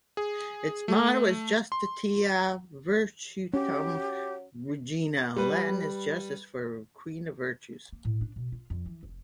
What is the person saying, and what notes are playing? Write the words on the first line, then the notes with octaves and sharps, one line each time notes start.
Its motto is "Justitia Virtutum Regina", Latin for "Justice is Queen of Virtues".
G#4
A3
C6
F#3 C#4 G4
G3 B4
A#3
A2
D4
B2
F4
F2
E3
F1